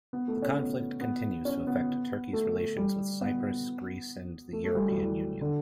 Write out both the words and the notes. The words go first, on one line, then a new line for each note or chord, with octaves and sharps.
The conflict continues to affect Turkey's relations with Cyprus, Greece, and the European Union.
B3
A3
C#4
B3
B3
C#4
B3
A3
G3
B3
A3
A3
G3
F#3
E3
D3